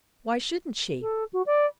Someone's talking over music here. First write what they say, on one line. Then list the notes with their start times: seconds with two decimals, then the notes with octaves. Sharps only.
"Why shouldn't she?"
1.01 A4
1.33 F#4
1.46 D5